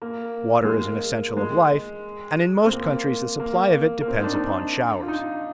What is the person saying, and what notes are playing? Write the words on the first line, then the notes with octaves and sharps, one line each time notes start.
Water is an essential of life, and in most countries the supply of it depends upon showers.
A#3
G#3
A#3
A#3
G#3
C4
A#3
A#3
A#3
C4
D#4
D4
D#4
D4
F4
D#4